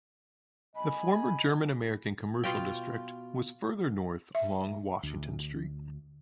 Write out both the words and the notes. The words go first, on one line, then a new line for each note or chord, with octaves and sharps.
The former German-American commercial district was further north along Washington Street.
B1 D#5 G#5 B5
B2 F4 G5
E5
D2